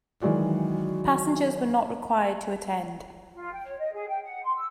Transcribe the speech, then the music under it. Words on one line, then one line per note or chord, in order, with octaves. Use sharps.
Passengers were not required to attend.
D#3 E3 F#3 G#3 F#4 D5
F4
G5
C#5
D#5
G#4
G5
F#5
C6
E6